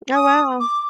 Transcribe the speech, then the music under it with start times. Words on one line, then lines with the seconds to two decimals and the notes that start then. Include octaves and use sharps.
Oh, wow.
0.15 D#6
0.60 D6